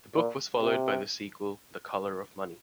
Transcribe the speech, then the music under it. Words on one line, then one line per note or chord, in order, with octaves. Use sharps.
The book was followed by the sequel "The Color of Money".
A#2
C3